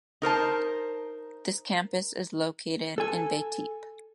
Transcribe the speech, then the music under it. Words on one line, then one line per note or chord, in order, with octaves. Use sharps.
This campus is located in Beytepe.
D#4 A#4 C5 A5
A4 G#5